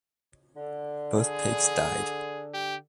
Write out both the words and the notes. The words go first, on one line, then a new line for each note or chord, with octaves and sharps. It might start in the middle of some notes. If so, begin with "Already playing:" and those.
Both pigs died.
D3
G#4
G4